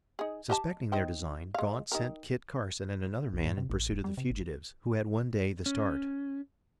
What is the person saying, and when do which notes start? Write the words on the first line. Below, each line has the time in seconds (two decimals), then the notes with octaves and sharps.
Suspecting their design, Gaunt sent Kit Carson and another man in pursuit of the fugitives, who had one day the start.
0.19 D#4 G#4
0.50 G4 D#5 A5
0.92 D#4 C5 G5
1.55 G#3 F5
1.92 D#4 G4 A#4
3.33 B1
3.45 G#2
3.57 C3
3.70 A1
3.91 D#1
4.04 G3
4.18 C3
4.30 G1
5.66 C#4